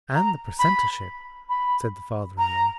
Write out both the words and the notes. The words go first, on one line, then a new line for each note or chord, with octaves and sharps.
"And the precentorship," said the father-in-law.
A#5
B5
B5
A#5